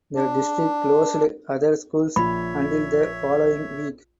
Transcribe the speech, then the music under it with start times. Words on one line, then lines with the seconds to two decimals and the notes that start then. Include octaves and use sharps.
The district closed other schools until the following week.
0.15 D4
2.16 A#1 C#5 E5 B5